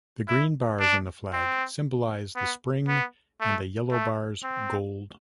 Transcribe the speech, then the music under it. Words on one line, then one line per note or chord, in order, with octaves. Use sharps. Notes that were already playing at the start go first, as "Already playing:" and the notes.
The green bars in the flag symbolize the spring and the yellow bars gold.
E4
D4
C4
B3
B3
A3
A3
C4